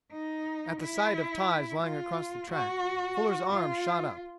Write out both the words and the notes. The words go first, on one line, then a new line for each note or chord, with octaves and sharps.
At the sight of ties lying across the track, Fuller's arms shot up.
D#4
E4
F4
F#4
F4